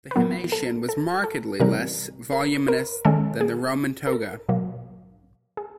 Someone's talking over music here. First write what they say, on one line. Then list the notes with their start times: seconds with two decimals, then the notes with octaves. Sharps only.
The himation was markedly less voluminous than the Roman toga.
0.11 B4
0.16 A#2 F#3 B3 A#4
0.52 A4
0.89 A4
1.24 A4
1.60 C3 E3 G3 C4 A#4
2.32 A#4
2.68 A#4
3.05 D#3 G#3 C#4 A4
3.41 G#4
4.07 A#4
4.13 A4
4.49 B2 F#3 A#3
5.57 G#4